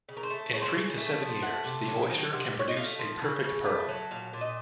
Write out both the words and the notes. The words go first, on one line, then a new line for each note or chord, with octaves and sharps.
In three to seven years, the oyster can produce a perfect pearl.
C#3
A#4
C5
A3
C#3 C#5
C5
C#5
C#3
A3
F3
A3 F#5
C3
F#3
D#3
C3 F#5
C3
C#5
D#5
A3 F5
F3
C#3
C#3
A3
F#3
A#2 F5
A#2
D#5